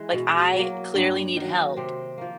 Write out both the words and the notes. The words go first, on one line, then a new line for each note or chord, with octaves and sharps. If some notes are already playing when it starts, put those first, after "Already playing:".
Like I clearly need help,
Already playing: E3 G#3
B2
F#3
A#3
G2
D#3 F#3
C3 C4
F3 A#3